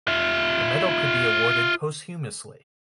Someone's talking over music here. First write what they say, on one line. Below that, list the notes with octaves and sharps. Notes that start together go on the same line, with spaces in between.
The medal could be awarded posthumously.
F4 E5